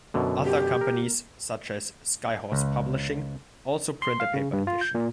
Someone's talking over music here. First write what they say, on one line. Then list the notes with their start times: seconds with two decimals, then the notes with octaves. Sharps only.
Other companies-such as Skyhorse Publishing-also print a paper edition.
0.14 F#2 B2 D3
0.44 G4
0.81 A#4
2.52 C#2
4.02 C6
4.20 F5
4.34 C#3
4.53 G2
4.67 F4
4.81 G6
4.95 A#2